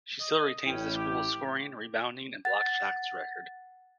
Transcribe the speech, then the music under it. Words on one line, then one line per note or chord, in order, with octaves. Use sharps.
She still retains the schools scoring, rebounding and blocked shots record.
D#5
A1 C#4 E4 G5
G4
F#5 A6